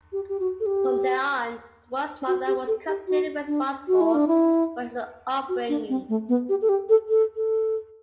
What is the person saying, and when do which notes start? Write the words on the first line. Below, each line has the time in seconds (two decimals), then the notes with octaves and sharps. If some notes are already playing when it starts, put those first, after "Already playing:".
From then on, the boy's mother was completely responsible for his upbringing.
0.13 G4
0.29 G4
0.40 F#4
0.60 A4
0.66 G4
2.27 F#4
2.47 G4
2.67 A4
2.88 G4
3.08 F#4
3.48 D4
3.88 F#4
4.01 E4
4.15 D4
4.28 E4
5.49 F#4
5.69 D4
5.89 C4
6.09 A3
6.29 B3
6.49 G4
6.62 A4
6.69 G4
6.89 A4
7.09 A4
7.35 A4